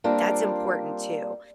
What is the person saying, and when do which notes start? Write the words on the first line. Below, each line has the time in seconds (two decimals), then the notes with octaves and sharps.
that's important too.
0.04 G3 A#3 C4 D4 F4